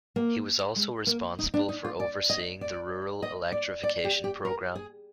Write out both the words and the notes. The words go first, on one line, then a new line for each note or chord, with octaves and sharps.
He was responsible for overseeing the Rural Electrification Program.
A#3
G#3
A#3
D#4
D4
D#4
F4
D5
D#5
D5
D#5
D5
D5
G4
G4
A#4
G#4